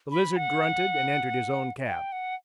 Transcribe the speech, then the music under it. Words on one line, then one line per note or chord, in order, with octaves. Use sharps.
The Lizard grunted and entered his own cab.
B5
F#5
G5
F#5